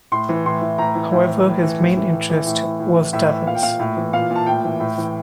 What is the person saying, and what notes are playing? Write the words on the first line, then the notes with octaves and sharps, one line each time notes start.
However, his main interest was davits.
A2 C6
E3
A2 C6
E3
A2 A#5
E3
A2
E3
A2
E3
A2
E3
A2
E3
A2
E3
A2
E3
A2 E5
E3
A#2 F5
G5
A#2 F5
A2
E3
A#2 F5
A#2
A5
A2 G5
E3
A2
E3